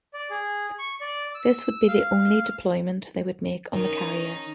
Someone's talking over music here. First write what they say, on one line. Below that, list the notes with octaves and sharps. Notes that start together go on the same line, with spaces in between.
This would be the only deployment they would make on the carrier.
D5
G#4
C#6
D5
E6
F5
D#3 C#4 D#4